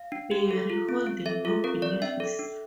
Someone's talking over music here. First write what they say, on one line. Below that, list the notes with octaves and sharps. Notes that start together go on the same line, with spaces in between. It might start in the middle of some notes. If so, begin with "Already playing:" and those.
Bury, holding no benefice.
Already playing: F5
D4
G4
A4
F4
C4
C4
A4 E5
F4 A4
C4 A#4
C4 D5
D4 E5
A4
D4